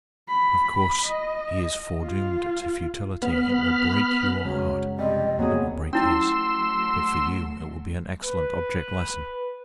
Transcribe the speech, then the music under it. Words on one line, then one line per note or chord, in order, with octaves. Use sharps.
Of course, he is foredoomed to futility. It will break your heart--it will break his; but for you it will be an excellent object lesson.
B5
D#5
F4
B3 B5 F6
F#2 C#3 F#3 G#3
F2 C3 G3 D#5
E2 G#2 C3 F#3 A#3 B3 G#4
F#3 A3 C#4 E4 C6 E6
B4